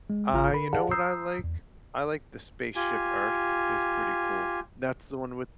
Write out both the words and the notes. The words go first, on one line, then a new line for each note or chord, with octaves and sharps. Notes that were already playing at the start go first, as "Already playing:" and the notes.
I You know what I like? I like the Spaceship Earth is pretty cool. That's the one with
G#3
A1 C#3 F4 A#5 F6
D3 A#4 B5
G4 G#4 D5 F5 F#5 A5
A#5 D#6 E6 G6 C7
E2
F4 G4 G#5